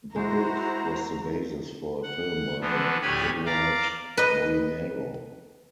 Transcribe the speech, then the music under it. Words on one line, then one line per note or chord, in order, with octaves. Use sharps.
The book was the basis for a film by Edouard Molinaro.
G#3 E4 F#4 C5 A#5
F#5
D3 E3 F3 B3
D2 A2 G4 C#5 G#5 B5
D5 F5 A#5 D6
B4 D#5